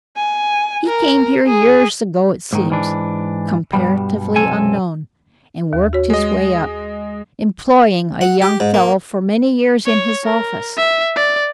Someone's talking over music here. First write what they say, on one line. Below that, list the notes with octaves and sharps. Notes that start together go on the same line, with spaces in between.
He came here years ago it seems, comparatively unknown, and worked his way up, employing a young fellow for many years in his office.
G#5
A#4
G#4
G#2 D#3
G#2 E3 D4
G2 B2 G3
B1 F#2 C3 A4 G#5
D#2
F#4 C#5
G#3 D#5
F#5
G4
G#2
A#3
C#5
A#4
E5
D5